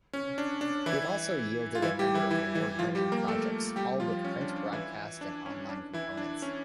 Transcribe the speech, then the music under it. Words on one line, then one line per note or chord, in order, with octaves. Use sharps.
It also yielded a number of award-winning projects-all with print, broadcast, and online components.
C#4
D4
D4
E3 E4
F4
E3 E4
G3 G4
E3 E4
E3 E4
E3 E4
F3 F4
G3 G4
A#3 A#4
A3 A4
G3 G4
F3 F4
C#4
D4
D4
E3 E4
D4
C#4
D4
E3 E4
D4
C#4